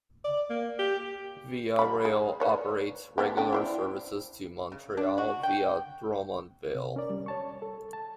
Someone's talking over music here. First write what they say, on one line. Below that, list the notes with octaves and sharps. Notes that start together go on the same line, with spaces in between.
Via Rail operates regular services to Montreal via Drummondville.
D5
A#3
G4
G3 B5
G#4
B4 C#5 D5
A3 B3 G4
C#3 D4 G5
E4 C5 D5
C#3
D4
F#4
G5
C3
C#4 A#4 D5
G3
C#5 A5 C#6
A4
A5